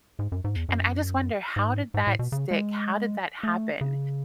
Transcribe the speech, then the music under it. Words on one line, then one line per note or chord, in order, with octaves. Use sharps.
and I just wonder, how did that stick? How did that happen?
G#2
F#2
G#2
E2
F#2
G#2
G#2
A2
B2
C#3
G#3
A3
C#3